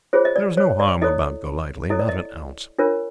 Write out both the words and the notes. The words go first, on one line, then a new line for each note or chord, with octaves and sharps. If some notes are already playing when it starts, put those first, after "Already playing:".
There was no harm about Golightly--not an ounce.
F4 G#4 C5 C#5
D#5
D5
C#5
D5
E4 A4 C#5 D#5
E4 A4 C#5 D#5
D5
D#5
D4 F4 A#4 C#5